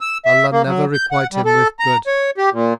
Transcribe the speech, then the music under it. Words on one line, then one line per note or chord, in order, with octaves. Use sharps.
Allah never requite him with good!
E6
E5
A#3
F#3
G6
F#5
G3
A4
A#5
C#5
G4
A#2